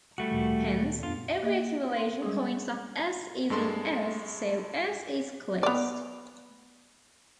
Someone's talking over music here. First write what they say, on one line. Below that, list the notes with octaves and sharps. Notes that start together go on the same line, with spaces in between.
Hence, every accumulation point of "S" is in "S", so "S" is closed.
G3 A3 F#4
D2 A#2 D#3
F2 B3 D4 F4
A#3 D#5 E5
C6
G3 G#3 C#4 G#4
G2 G#3 A4 C6
B3 D5